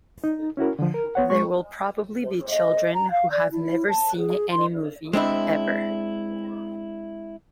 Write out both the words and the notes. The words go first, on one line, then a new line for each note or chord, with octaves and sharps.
They will probably be children who have never seen any movie, ever.
D#4
C#4 E4 F#4 A#4
D3 F3
A#4
B3 C#5 F#5
G#3 C#6
D#5
A#5
F5
D5
E4
A5
G#4
C6
G#3 C4 D4 E4